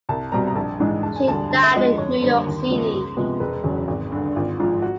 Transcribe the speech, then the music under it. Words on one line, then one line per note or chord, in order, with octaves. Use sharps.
She died in New York City.
C2 A5
B2 G3 C4 A#5
A#5
A#1 A5
G#2 E3 G#3
E1 A5
G#5
D2 D3 G3 A5
D2 A5
E5
D3 F3 G#3 D#5
F2 C#5
D3 G3 A#3 C5
D#2
C#3 F3 G#3 B3
C#2
C3 F3 G#3 B3
E1 B4
E2 C#3 F#3
G#1
G2 D3
G#1 F4
G#2 F3 F4
F#4